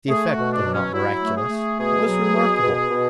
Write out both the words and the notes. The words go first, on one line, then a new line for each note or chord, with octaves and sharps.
The effect, though not miraculous, was remarkable.
A3 G#4
F#4
B2
D4
F#3
C#4
F#3 E4
A3
G#4
A3
B2 G#4
F#3
B2
B2
B2